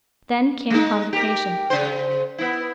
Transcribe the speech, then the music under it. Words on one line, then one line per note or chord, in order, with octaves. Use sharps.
Then came Convocation.
G#3 D#4
G4 A#4
C#3 C5
B3 E4